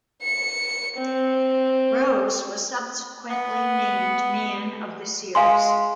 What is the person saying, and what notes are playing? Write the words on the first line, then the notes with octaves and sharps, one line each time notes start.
Rose was subsequently named Man-of-the-Series.
C#7
C4
B3
G#3 F5 G#5 C6